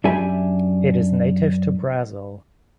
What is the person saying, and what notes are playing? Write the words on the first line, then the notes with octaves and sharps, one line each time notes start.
It is native to Brazil.
F#2 D4 G4 E5 G#5 B5